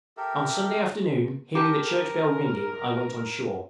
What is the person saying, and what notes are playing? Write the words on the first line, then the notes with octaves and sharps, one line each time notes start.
On Sunday afternoon, hearing the church bell ringing I went on shore.
G4 A4 A#4 E5
G4 A#4 A5